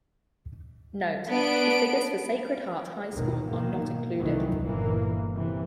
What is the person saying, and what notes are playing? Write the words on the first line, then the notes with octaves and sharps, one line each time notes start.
Note: The figures for Sacred Heart High School are not included.
B3 D4 D7
G#1 D#2 B2 D#3
B2 D#3 A#3
C2 D#3 E3 F#3
G1 A#2 E3 A#3
C3 E3